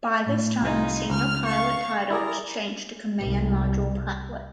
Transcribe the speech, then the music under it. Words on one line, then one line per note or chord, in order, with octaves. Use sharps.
By this time, the Senior Pilot title was changed to Command Module Pilot.
A2
C2 D#4 F4 G#5
C#2 F6
F5 C#6
E4 G#4 A#4 D5
C2